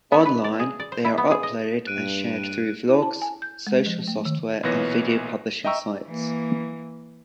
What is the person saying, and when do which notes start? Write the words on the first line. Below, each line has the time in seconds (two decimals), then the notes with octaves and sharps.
Online, they are uploaded and shared through vlogs, social software, and video publishing sites.
0.12 B3
0.25 B4
0.44 D5
0.59 G#4
0.80 D5
0.92 C5
1.04 E4
1.18 B3
1.31 G#4
1.43 D#5
1.87 G2 F#6 D7 D#7
2.89 E4
3.02 A5
3.22 G#5
3.42 G6
3.67 G#3
3.86 F3
4.08 A3
4.25 D#3
4.63 B1 A#2 E3 B3 C#5 A#6
5.65 D#5 E5 G5 A#5 C#6 E6
6.07 E3 A#3